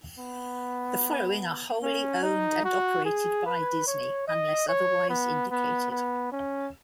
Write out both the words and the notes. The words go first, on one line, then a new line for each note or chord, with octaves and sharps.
The following are wholly owned and operated by Disney, unless otherwise indicated.
B3
C#4
D#4
F#4
G#4
B4
C#5
D#5
C#5
B3
B3
B3
C#4